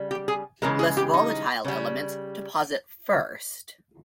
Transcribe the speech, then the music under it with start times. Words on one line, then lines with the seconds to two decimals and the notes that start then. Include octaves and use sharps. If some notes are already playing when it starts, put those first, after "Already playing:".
Less volatile elements deposit first.
Already playing: C#3 G3
0.11 G4
0.28 G#4
0.62 C#3 E3 G#3 A#4
0.79 G#4
0.97 G4
1.14 D#4
1.64 C#3 G3